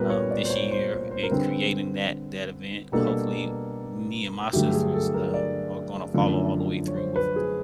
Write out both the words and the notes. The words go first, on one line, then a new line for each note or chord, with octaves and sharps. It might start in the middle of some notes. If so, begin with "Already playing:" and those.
um, this year in creating that that event. Hopefully me and my sisters, um, are gonna follow all the way through with
Already playing: A#2 G3 B3 A#4 B4
C#5
D5
C5
C#5
C5
C5
C5
A#4
D3 G3 C4 B4
B2 G3 A#3 D4 A4
G2 D3 F#3 A3 G4
G#4
A4
A#4
D5
F#2 D3 F3 A3 D4
C#5
C5
B4
G#4